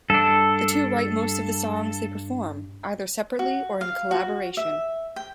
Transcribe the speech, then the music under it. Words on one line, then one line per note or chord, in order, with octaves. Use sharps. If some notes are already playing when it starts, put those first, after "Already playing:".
The two write most of the songs they perform, either separately or in collaboration.
G2 D4 A4
F#4
F5
F#4
E5
G5